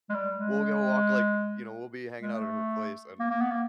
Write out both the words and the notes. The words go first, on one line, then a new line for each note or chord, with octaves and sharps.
we'll go walk, like, you know, we'll be hanging out at her place, and
G#3
G3
G#3
G#3
A3
A#3
A#3
B3
A#3